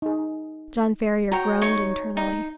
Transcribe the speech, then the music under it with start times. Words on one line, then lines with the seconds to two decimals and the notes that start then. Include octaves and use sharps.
John Ferrier groaned internally.
0.02 D#4 G#4
1.32 F#4 C#5 G5 A#5
1.61 D#4 C#5 C#6
2.17 D#4